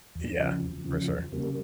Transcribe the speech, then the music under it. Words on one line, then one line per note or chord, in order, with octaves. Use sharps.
Yeah. For sure.
E2
C#3 F3
E2
C#3 F3
E2
C#3 G3 A#3